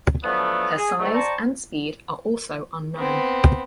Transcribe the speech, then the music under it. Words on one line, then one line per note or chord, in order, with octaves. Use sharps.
Her size and speed are also unknown.
D3 F3 F#3 A3 B3
G#4
D2 G#2 D#3 A3
C5 D5 G5 A5 A#5 C#6
B3 C4